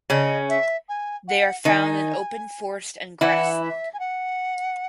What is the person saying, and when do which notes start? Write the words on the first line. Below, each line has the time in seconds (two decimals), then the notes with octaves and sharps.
They are found in open forest and grassland.
0.10 C#3 C#4 D#5
0.49 E5
0.88 G#5
1.27 F#5
1.65 D#3 D#4 G#5
3.21 E3 E4 F#5
3.61 E5
3.93 G#5
3.99 F#5